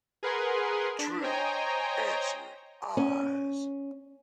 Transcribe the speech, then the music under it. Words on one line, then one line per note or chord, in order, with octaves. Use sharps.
"True," answered Oz.
G#4 A#4 B4 F#5 G#5 C6
D4
C5 C#5 D#5 G5 G#5 A#5
C#4